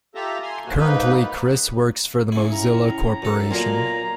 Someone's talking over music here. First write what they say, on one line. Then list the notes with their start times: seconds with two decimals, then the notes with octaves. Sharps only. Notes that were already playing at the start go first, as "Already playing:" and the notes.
Currently Chris works for the Mozilla Corporation.
0.15 F4 G4 A4 E5 A#5
0.43 G#5 C6
0.66 G#2 B2 F3 A#3 F#4
0.78 G#2 A#3 D#4 B4
2.32 C#3 E4
2.52 A2 C#4 A#5
3.22 F#2 A4
3.51 B1 A#2 F5 G#5 A#5